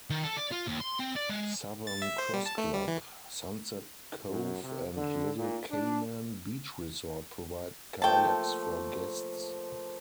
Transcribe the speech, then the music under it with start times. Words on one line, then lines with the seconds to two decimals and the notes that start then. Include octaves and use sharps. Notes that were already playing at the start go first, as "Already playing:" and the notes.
Southern Cross Club, Sunset Cove and Little Cayman Beach Resort provide kayaks for guests.
0.10 D#3
0.24 A4
0.37 D5
0.52 F4
0.68 D#2
0.81 C6
1.00 C4
1.16 D5
1.30 G#3
1.87 A6
2.02 E5
2.18 C5
2.33 G3
2.46 A5
2.58 A3
2.74 G3
2.88 E3
4.28 F#2
4.61 C3
4.95 D3
5.36 A#2
5.69 D4
8.02 F3 A3 A#3 G5 A5